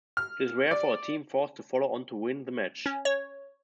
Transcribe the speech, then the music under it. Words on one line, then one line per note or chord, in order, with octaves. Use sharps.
It is rare for a team forced to follow on to win the match.
F6
D5
C#4
C#5